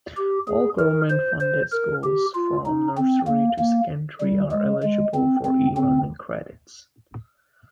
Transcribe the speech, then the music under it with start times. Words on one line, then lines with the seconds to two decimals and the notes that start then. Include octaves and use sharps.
All government-funded schools from nursery to secondary are eligible for eLearning Credits.
0.17 G4
0.48 G#4
0.79 A#4
1.10 C5
1.41 C5
1.72 A#4
2.03 G4
2.35 F4
2.66 D#4
2.97 C4
3.27 A#3
3.59 A#3
4.21 G3
4.52 G#3
4.83 G#3
5.14 C4
5.45 C4
5.77 C4